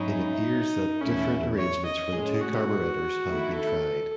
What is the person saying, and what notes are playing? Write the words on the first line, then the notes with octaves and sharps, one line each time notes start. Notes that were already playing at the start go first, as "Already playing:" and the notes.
It appears that different arrangements for the two carburettors have been tried.
Already playing: G#2 F#3 C#4 D#4 E4
E2 B2 A3 C#4 E4
C#5
D#5
A2 G#3 C#4 G#4
F#4
D#3 A3 E4
A4